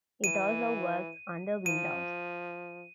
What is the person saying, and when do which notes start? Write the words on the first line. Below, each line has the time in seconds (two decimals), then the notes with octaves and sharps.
It also works under Windows.
0.24 E3 D#7
1.66 F3 D#7